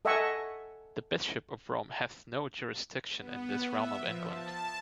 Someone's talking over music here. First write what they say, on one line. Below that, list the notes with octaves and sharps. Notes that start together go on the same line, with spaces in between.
The Bishop of Rome hath no jurisdiction in this Realm of England.
A4 D#5 E5 F#5 G#5 C#6
B3
E5
F3
A5